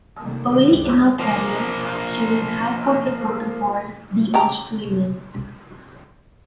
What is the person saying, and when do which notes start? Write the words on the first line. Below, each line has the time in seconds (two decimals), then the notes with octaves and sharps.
Early in her career she was High Court reporter for "The Australian".
0.22 C3 D#3 G3 A3 A#3
0.65 C#2 G2 G3 G#3
1.19 F3 A#3
4.34 C#3 G4 A#5